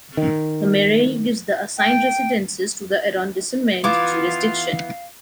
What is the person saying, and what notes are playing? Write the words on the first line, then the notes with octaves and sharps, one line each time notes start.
The Mairie gives the assigned residences to the arrondissement jurisdiction.
D#3
G5
E3 B3 F4 F5 D6